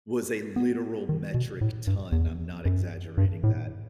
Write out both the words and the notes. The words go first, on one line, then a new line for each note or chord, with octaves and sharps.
was a literal metric ton. I'm not exaggerating that.
B3
D#3
B2
A2
G2
E2
F#2
G2
A2